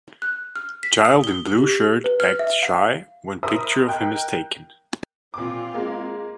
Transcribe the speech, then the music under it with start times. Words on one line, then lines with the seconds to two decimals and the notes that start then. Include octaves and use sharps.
Child in blue shirt acts shy when picture of him is taken.
0.22 F#6
0.56 F6
0.83 B6
1.05 D#6
1.24 G7
1.58 G4
2.04 B4
2.20 F6
2.39 E5
2.63 F5
3.43 A#4 C5 E5 B5 D#6
3.88 A#4 D#5 G5 F#6 G6
5.34 A#2 C4 F4 D6
5.74 G#3 A#3